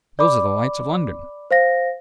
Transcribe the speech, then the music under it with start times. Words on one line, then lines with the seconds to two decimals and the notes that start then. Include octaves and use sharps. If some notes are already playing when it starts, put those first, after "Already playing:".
Those are the lights of London.'
0.19 D5 B5 D6
1.51 C5 F5 A#6